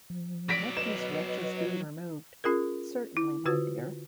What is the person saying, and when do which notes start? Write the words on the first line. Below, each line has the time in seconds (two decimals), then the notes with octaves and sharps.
'Let these wretches be removed.’ ‘Certainly, my dear'.
0.10 F3
0.49 F#3 D5 A#6 B6 D7
0.77 B4 D#5 E7
2.44 C#4 F4 G#4 A#4
3.17 E4
3.45 D3 F4 F#4 B4 G#6